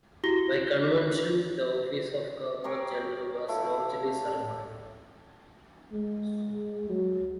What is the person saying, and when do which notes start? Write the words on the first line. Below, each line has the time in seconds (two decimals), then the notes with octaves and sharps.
By convention, the Office of Governor-General was largely ceremonial.
0.24 E4 F#4 G4 A#6 G7
2.64 G4 G#4 A#4 C#5
3.48 E4 A4 C#5 F5
5.93 G#3
6.90 F#3